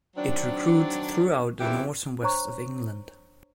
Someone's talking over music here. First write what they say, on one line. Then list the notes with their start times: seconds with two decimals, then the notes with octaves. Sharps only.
It recruits throughout the North West of England.
0.17 D#3 F#3 C4 D4
1.60 F2 C#3 E3 G3 E4 G4
2.22 D4 C5 C#5 A#5 C#6